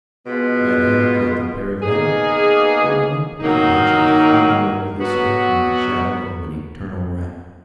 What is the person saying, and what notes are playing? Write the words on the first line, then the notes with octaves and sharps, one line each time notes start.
I think that the pair of them were only poor wretches, creeping over this earth in the shadow of an eternal wrath.
B2 G#3 B3 F4
B2 A#3 D#4 G#4
D#3 F#3 A#3 D#4
B2 F#3 B3 F#4